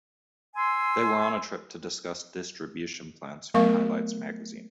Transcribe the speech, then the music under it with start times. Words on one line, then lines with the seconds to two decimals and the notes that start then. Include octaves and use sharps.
They were on a trip to discuss distribution plans for Highlights magazine.
0.56 G#5 C6 E6
3.54 F#3 A3 B3 A#4 F5 C#6